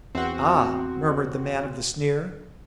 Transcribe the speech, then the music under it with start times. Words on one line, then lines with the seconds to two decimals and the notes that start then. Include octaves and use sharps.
"Ah!" murmured the man of the sneer.
0.15 E2 C4 F#4